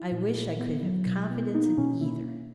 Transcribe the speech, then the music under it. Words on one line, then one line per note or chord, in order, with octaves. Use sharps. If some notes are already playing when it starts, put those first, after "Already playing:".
I wish I could have confidence in either.'
Already playing: E4
A#2
A#2
B3
F#3
B2
B3
A#3 D#4
B2 C#4
A#3 E4